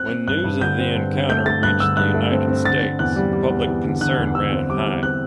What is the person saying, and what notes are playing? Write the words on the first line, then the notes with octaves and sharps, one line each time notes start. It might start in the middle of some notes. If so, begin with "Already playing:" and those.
When news of the encounter reached the United States, public concern ran high.
Already playing: C4 F#6
C4
G2 F#6
G2
D3 G6
C4
G2
D3
A3 G6
A3 A6
G2 F#6
D3 E6
G2 F#6
A3
C4
C4
D3 A6
C4
E2 F#6
G3
G3
E2
E2
D3
D3 F#6
E2
D3 E6
C4
G3 D6
E2
C4 F#6